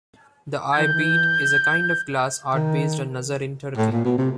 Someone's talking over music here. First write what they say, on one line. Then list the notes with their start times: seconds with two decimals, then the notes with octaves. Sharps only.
The eye bead is a kind of glass art based on nazar in Turkey.
0.73 G#6
0.77 E3 G6
0.85 D#3
0.93 E3
2.55 D#3
3.78 A2
3.92 A#2
4.05 B2
4.18 C3